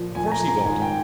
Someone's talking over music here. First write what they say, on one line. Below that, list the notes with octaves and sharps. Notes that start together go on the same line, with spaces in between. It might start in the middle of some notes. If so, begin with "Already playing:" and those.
Of course he won't.
Already playing: A#2 F3
A#2 F3 G#5
A#5
A#5
G#2 D#3 G#5
G5